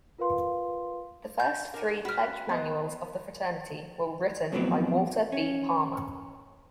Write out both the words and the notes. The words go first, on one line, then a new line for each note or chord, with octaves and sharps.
The first three pledge manuals of the fraternity were written by Walter B. Palmer.
F4 A#4 B4 F5 C6
G6
D4 A#4
F#4 B4 F6
B3 C5 D#5
F2 A2 E3 F#3 B3 C4
C#4